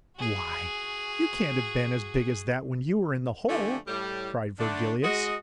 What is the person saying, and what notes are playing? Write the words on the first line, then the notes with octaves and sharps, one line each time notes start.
'Why, you can't have been as big as that when you were in the hole!' cried Virgilius.
F#4 G#4
D3 E3 F3 A3 G4 G#5
A2 G3
D3 A3 D4
G#3 F#4 D#5